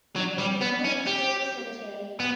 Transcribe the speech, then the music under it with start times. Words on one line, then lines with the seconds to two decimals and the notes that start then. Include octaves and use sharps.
He was interred at Storrs Cemetery.
0.16 F#3
0.38 G3
0.61 B3
0.84 C#4
1.07 G4
2.20 B3